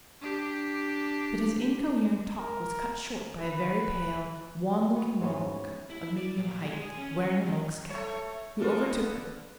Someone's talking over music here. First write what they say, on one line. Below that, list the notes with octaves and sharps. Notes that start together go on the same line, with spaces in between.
But his incoherent talk was cut short by a very pale, wan-looking monk of medium height, wearing a monk's cap, who overtook them.
D4 G4
A#4
B4
F#4
B3 F#4
G#2 E3 B3 C#4
E4
D5
A#2
G#3
G#4
C#4
C#4
D#3
A3 C#5
D3 B3 F4